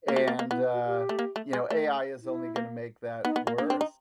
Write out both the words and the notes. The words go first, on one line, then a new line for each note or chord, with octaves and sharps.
and, uh, you know, AI is only gonna make that worse.
A#3
A3 F#4
A#3
A#3
B3 E4
F#4
G4
A3
A#3
A3
G#3
A3
E4
A#3
B3 D#4
B3
A#3
A#3 D4
C4
D#4